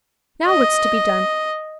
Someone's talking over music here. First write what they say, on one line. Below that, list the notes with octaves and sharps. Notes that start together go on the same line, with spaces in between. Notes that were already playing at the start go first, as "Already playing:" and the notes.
Now what's to be done?
D#5